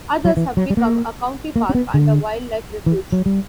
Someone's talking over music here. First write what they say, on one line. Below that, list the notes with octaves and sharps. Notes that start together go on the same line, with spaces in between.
Others have become a county park and a wildlife refuge.
F#3
E3
F#3
G3
A#3
A#3
C#4
B3
D3
E3
F#3
G3